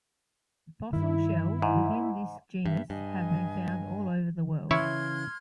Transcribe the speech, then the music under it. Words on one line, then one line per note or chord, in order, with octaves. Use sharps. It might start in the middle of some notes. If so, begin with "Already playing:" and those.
Fossil shells within this genus have been found all over the world.
G2 D#3 E4
G#2
G2 E5
G2 D#5 G#5
C#3 E3 E4 C#5 C6 F6 G#6